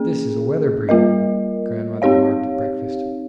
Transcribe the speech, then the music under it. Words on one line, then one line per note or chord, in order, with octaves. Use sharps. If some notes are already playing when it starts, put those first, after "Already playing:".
"This is a weather-breeder," grandmother remarked at breakfast.
Already playing: A#3 C#4 G#4
G3 A#3 F4 A#4 D#5
C4 D#4 G4 C#5 F5